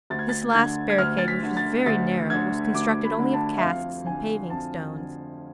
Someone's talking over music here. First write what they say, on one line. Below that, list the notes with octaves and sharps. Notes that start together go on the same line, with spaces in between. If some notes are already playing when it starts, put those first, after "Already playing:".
This last barricade, which was very narrow, was constructed only of casks and paving-stones.
D2 A6
G#6
A6
D3 G#6
G#6
D2 F6
A6
B6
D3
A6
D2 A6
D3 G#6
D2 D6
B5
D3
A5
E5
F2 F5
D3 G#5
F2 A5
D3